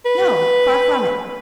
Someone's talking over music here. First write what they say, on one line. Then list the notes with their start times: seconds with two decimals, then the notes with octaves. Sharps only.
No; far from it.
0.05 B4